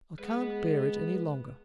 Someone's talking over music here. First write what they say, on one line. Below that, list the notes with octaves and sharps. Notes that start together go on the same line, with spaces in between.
I can't bear it any longer.
G#3 B4 F#5